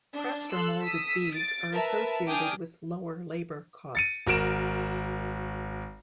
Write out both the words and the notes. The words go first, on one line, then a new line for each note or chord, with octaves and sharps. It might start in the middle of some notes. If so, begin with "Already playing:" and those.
Pressed or molded beads are associated with lower labour costs.
D4
A4 C6 E6 F#6
D#6 E6 B6
A6 D7
A#4 B4 E5 A5
D4 G5 G#5 D6 D#6 F6
A6 C#7 D#7
G#1 F#4 A#4 D7 E7